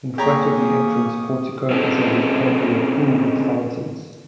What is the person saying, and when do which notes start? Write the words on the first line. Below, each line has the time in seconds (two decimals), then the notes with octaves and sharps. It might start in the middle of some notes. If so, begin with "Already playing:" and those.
In front of the entrance portico is a rectangular pool with fountains.
0.18 A#3 G4 G#4 C#5 A#5 C#6 D#6
1.71 C4 C#4 D#4 G#4 A4